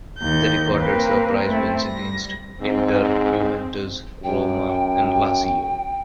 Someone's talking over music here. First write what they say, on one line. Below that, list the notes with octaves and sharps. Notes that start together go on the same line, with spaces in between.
They recorded surprise wins against Inter, Juventus, Roma and Lazio.
D#2 G6
A#3 C4 A#4 B4
A3 C4 E4
G3 A#6
G#2 C4
F#2 G5